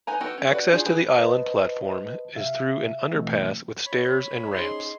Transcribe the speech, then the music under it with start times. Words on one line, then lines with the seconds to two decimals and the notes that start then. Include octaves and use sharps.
Access to the island platform is through an underpass with stairs and ramps.
0.07 D#4 B4 G#5 A#5
0.21 B3 D#4 F#4 A4 G5
0.38 C#4
0.50 F#4 B4 D5
0.72 D4 D#4 F4 G#4
0.85 G4 G#4 B4 G5
1.15 B4 C5 D#5 A5
2.35 C3 E5 F5
3.13 B2 E3 A3 C4
3.86 C#5 B5
4.53 C#4 D#4 G#4 C5 C6